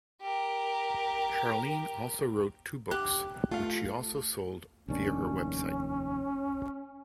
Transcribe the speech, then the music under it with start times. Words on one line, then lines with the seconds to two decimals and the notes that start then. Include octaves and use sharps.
Charlene also wrote two books, which she also sold via her website.
0.22 G4 A#4
2.91 G4 F#6
3.51 A3 F4 F5
4.88 F1 D#2 C#4 D4